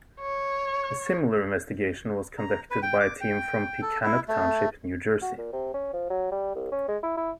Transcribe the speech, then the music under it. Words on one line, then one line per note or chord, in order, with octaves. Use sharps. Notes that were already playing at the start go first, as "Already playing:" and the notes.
A similar investigation was conducted by a team from Pequannock Township, New Jersey.
C#5
A#5
B4
G5
D6
G5
A4
E4
A3
F#4
A#2
C3
C#4
F3
F#3
G3
C2
C#4
G#3
E4
E4